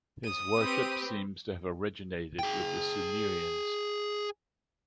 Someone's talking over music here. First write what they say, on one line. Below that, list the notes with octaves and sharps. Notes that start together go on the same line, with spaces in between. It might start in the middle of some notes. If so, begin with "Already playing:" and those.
His worship seems to have originated with the Sumerians.
D#6 D#7
C4 G4 B4
G#4 G5